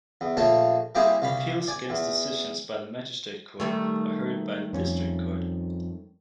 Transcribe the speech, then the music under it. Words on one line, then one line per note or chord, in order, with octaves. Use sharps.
Appeals against decisions by the Magistrates Court are heard by the District Court.
E2
A#1 A3 A#3 C#5 A5
G3 A#3 C4 E4 G4 G#4
C2 F5 B5
D5 G#5
E2
D#3 G3 A3
F2 C#4